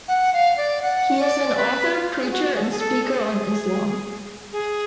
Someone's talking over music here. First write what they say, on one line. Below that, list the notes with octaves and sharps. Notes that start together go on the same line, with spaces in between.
He is an author, preacher and speaker on Islam.
F#5
F5
D5
F#5
D5
B4
F4
G#4
F#4
G#4
A4
G#4
A4
G#4
G#4